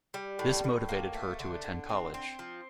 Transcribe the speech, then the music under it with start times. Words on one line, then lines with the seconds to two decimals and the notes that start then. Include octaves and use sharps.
This motivated her to attend college.
0.14 G3
0.39 A2
0.64 A2
0.89 A#3
1.14 A3
1.39 D3
1.64 D3
1.89 C4
2.14 C4
2.39 F3